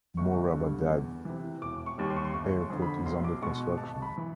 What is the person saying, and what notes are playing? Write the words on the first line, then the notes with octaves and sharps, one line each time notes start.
Moradabad Airport is under construction.
G1 C#6
G2 D3
E2
C3 E3
E1 D6
C#6
D#2 D#3 G3
C6
C#6
C6
G1 C#6
F2 D3
B5
B1 C6
D6
B2 G#3 C#6
G#1 A5
B5
E3